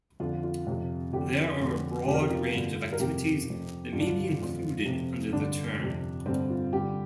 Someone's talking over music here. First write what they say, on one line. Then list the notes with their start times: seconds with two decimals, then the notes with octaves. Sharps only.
There are a broad range of activities that may be included under the term.
0.20 F2 D3 F4
0.44 F4
0.67 F2 C3
1.13 F2 D3 G4
1.60 F2 D3
2.07 F2 G4
2.11 C3 A#4
2.21 G4
2.30 F4
2.53 G2 D3
2.93 A#4
3.00 F2 C3 G4
3.47 F2 C3
3.93 G2 D3 F4
4.00 D4
4.07 F4
4.40 F2 D3
4.86 F2 C3
5.33 G2 D3 D4
5.80 F2 C3
6.26 G2 D3 C4
6.50 F4
6.73 G2 D3 G4